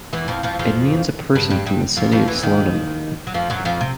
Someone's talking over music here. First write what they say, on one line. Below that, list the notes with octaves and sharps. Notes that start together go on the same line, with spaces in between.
It means "a person from the city of Slonim".
E2 E3
F2 F3
F2 F3
F2 F3
G2 G3
G2 G3
G2 G3
F2 F3
F2 F3
E2 E3
D#2 D#3
F#3
F2 F3
F#2 F#3
F2 F3
C3